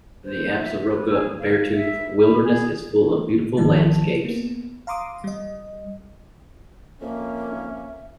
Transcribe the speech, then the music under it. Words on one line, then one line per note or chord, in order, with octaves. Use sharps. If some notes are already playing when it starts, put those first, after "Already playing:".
The Absaroka-Beartooth Wilderness is full of beautiful landscapes.
C5
E5
B4
G#4
F5
E5
B5
G#4
G#1 D#3 F3 G3 A5
A#3 B3
F5 A#5 C6 D6 D#6
G3 D#5
F2 A#3 C#4 E5